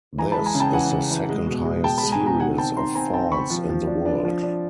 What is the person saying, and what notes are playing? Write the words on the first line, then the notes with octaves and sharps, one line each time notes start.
This is the second-highest series of falls in the world.
E3 G#5 A#5
A5 B5
G#3
G#5 A#5
C#3
G5 A5
E3 F#5 G#5
C#3
E3
G#3
B2
G#3
G#3 G5 A5
A5 B5
G#3
G#5 A#5
B2
G#5 A#5
D#3 F#5 G#5
C4 G5 A5
D#3 A#5 C6
C4 G#5 A#5
C4 G5 A5
C4 B5 C#6
F3
F3
D4
D4
F3
D4